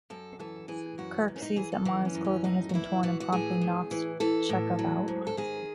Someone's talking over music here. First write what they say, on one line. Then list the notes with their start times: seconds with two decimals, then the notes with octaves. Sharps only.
Kirk sees that Mara's clothing has been torn and promptly knocks Chekov out.
0.10 F#2 A4
0.39 E3 A4
0.68 E3 G#4
0.98 F#2 F#4
1.28 F#2
1.36 C#4
1.42 D#4
1.56 E3 G#4
1.72 A4
1.85 E3 D#4
2.05 C#4
2.15 F#2
2.25 C#4
2.44 A2 D#4
2.69 F#4
2.74 E3 E4
3.03 E3 F#4
3.20 F#4
3.32 A2 G#4
3.61 A2
3.91 E3
4.20 E3 A4
4.49 A2
4.79 F#3
5.08 G#2
5.27 A4
5.37 D#3 G#4